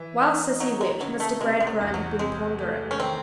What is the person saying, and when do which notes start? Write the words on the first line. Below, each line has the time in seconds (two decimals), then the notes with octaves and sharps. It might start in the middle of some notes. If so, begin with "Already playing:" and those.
While Sissy wept Mr. Gradgrind had been pondering.
Already playing: E3
0.21 D#4
0.60 F#3 D#4
0.81 G#3
1.01 C#3 F#3
1.20 A3
1.41 C3 G#3
1.60 G#3
1.67 F#3
1.81 E2
1.94 F#3
2.19 C3 G#3
2.60 A3
2.91 C#4
3.00 D#3 C4